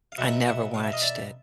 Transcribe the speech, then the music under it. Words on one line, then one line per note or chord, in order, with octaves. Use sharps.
I never watched it.
F5
B2 F#3 A3 E5 F#5
E5 F#5
F5
E5
D#5 F5
D5 E5